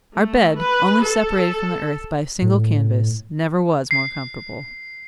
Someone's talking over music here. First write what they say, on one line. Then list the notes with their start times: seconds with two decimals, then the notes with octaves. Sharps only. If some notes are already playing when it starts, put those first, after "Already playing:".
Our bed, only separated from the earth by a single canvas, never was more comfortable.
0.15 A3
0.58 B4
1.02 A4
2.42 A2
3.91 C7